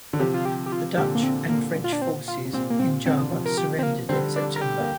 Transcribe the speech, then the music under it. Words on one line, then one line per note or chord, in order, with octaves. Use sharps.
The Dutch and French forces in Java surrendered in September.
D3
C3 F3 G4
F4
G4
G4
F4
A#2 D3 G4
A#3
C4
A#3
A#2
F4
D4
C4
F4
C3
A#2 C4
A#3
A#2 C4
A#2 D3 C4
D3
C3 F3
A#4
G4
C4
A#3
D3 G3 C4
D4
A#4
G4
A#3